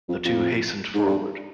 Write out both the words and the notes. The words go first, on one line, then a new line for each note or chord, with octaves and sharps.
The two hastened forward.
F2
F2
G#2
G2